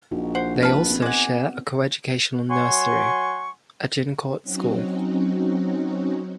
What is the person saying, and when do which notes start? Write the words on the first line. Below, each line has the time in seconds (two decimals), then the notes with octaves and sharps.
They also share a coeducational nursery, Agincourt School.
0.11 A#1 D#4 F#4
0.35 C5 F#5
0.63 B4 F5 A5 B5
0.89 B3 C4
1.02 G#3 F#5 G#5 D6
2.50 F#3 F#5 G#5 C6 C#6
4.42 F#3 C4 C#4 D#4 F#4